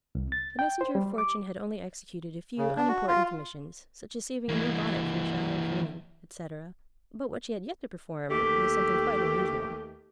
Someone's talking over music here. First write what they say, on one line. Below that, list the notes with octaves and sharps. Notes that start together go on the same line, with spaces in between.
The messenger of Fortune had only executed a few unimportant commissions, such as saving a new bonnet from a shower of rain, etc.; but what she had yet to perform was something quite unusual.
C2
A6
G5
C5
G3
D6
C#3
D4
F#4
F4
E3 A#3
D#2 A3 G4